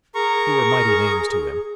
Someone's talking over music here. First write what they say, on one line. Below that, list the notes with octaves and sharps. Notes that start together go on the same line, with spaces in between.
They were mighty names to him.
G#4 A#4 A#5 C#6